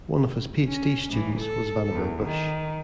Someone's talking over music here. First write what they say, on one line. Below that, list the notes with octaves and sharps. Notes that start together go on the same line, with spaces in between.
One of his PhD students was Vannevar Bush.
C#4
A2 E3
A4
E2
D#3